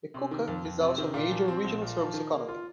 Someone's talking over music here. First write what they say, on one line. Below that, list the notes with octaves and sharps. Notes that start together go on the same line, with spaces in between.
Echuca is also a major regional service economy.
C3
D#3
F2
F2
C3
D#3
A#2
F3
C4
A#1
A#2
F3
D#3
A#3
F4